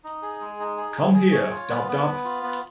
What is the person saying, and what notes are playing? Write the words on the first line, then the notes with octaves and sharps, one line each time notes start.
Come here, Dab-Dab.
D#4
G#4
G#3
D#4
G#4
G#4
G#4
C#5
F4
B3
B3
B3
F4
B3